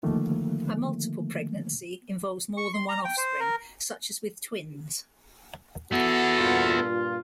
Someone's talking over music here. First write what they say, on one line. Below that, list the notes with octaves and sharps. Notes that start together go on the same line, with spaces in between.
A multiple pregnancy involves more than one offspring, such as with twins.
D3 D#3 F3 A3 A#3
C#6
C6
A#5
G5
C5
A#4
B3 E4 F#4 A4
G2 A#2 F4